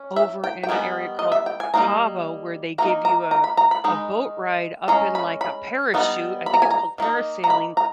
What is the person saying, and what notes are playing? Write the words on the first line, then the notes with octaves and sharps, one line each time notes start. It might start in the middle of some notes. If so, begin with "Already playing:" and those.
over in a area called Cabo where they give you a a boat ride up in, like, a parachute, I think it's called parasailing.
Already playing: C#4
E5
G5
G5
D#3 G3 B3 G#5
D#5
E5
G5
G#5
G3 A#3 D#4 A#5
D#3 A#3 D#4 A#5
A#5
A#5
B5
A#5
B5
D#3 G#3 D#4
G#3 C#4 A#5
B5
B5
G3 B3 D#4
B5
A#5
G#5
A#5
D#3 A#3 D#4
A#5
B5
A#5